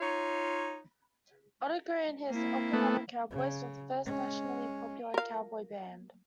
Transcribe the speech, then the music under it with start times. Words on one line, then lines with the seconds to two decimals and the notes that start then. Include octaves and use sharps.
Otto Gray and his Oklahoma Cowboys were the first nationally popular cowboy band.
0.01 D#4 F4 C#5
2.29 A#3 C4 E4
2.73 A3 B3
3.31 C#3
4.05 G#3 C#4
5.14 A#4 F5